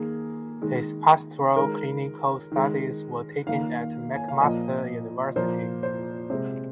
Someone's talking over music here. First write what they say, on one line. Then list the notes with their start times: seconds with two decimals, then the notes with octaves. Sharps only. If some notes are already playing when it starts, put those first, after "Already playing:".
His pastoral clinical studies were taken at McMaster University.
Already playing: D#3 A#3 G#4
0.62 D#3 G#3
1.56 D#3 G#3 A#4
2.52 D#3 G#3
3.47 D#3 A#3 F5
4.16 G#5
4.28 F5
4.41 A#2 F3 A#3 D#5
5.36 A#2 F3 A#3 C5
5.83 C5
6.30 C3 G#3 C5